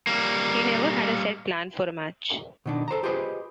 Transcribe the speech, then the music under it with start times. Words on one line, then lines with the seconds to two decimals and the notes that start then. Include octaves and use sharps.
He never had a set plan for a match.
0.07 G3 A#3
2.66 B2 D#3 D4
2.88 A4 C5 A5 A#5
3.03 F4 G4 G#4 B4 C5 D#5